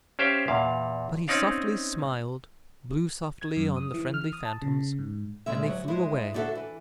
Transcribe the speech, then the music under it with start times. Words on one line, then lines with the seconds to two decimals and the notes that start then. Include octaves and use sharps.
But he softly smiled, blew softly on the friendly phantoms, and they flew away.
0.19 C#4 G4 C5 E5 F5 G5
0.48 E2 A#2 F5
1.28 C4 C#4 D#4 D5 F5
3.41 G#6
3.56 F#2
3.76 D#6
3.94 E3
4.14 F6
4.33 D#6
4.45 A5
4.62 C#3
4.79 C#3
4.99 G#2
5.46 E2 A#2 D3 G#3 E5
5.64 D2 F#3
5.88 G2 G#3 E4 C5
6.33 D2 D4 E4 F#4 A4 E5
6.55 E3